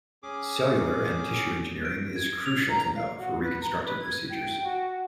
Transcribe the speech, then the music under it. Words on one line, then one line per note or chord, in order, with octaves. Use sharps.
Cellular and tissue engineering is crucial to know for reconstructive procedures.
C#4 G#4 D6
D7
G#6
F7
A#5
F5
F#4
B4
A#5
B4
G#6
G5
F#4